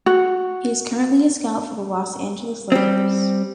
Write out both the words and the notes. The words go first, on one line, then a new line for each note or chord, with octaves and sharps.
He is currently a scout for the Los Angeles Lakers.
F#4
G3 C4